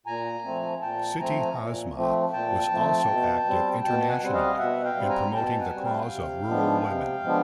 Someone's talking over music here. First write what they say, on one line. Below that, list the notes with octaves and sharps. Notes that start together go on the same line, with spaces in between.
Siti Hasmah was also active internationally in promoting the cause of rural women.
A#2 G#5 A#5
F3 A3 C4
A#2 G5 A5
F3 A3 C4 G#5 A#5
A#2
F3 A3 C4
A#2 G5 A5
F3 A3 C4
B2
G3 C4
B2 G5 A5
F#5 G#5
G3 C4
D#5 F5
B2 E5 F#5
F5 G5
G3 C4
G#5 A#5
B2 G5 A5
F#5 G#5
G3 C4
F5 G5
C3
F3 G#3 B3 D4
C3
F3 G#3 B3 D4